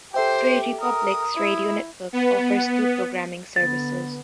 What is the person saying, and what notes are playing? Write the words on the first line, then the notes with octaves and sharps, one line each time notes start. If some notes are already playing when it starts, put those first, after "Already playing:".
Prairie Public's radio network offers two programming services.
G4 A4 C5 E5 G5
A#4 D#6
E4
B3
D3 B3 A6